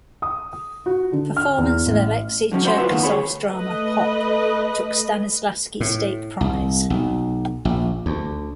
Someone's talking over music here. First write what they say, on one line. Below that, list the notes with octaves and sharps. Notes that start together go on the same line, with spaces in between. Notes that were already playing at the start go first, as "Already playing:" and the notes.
Performance of Alexei Cherkasov's drama "Hop" took Stanislavsky State Prize.
D#6
F#4
D3
F6
E2
A1
D3 F#3 A3 C#4
F#4 C5 D5 F#5 A#5 C6
F4 F#4 B4 E5
F#2 D3 D#3 F#3 A#3 B3
D2 G#4 C#5 B5
A3 B4 D#5
A2
C2
B1
A#1
D2